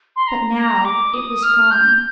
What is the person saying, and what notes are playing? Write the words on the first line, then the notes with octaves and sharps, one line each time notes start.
But now it was gone.
C6
A#5
A#5
D6
D#6
F6
G6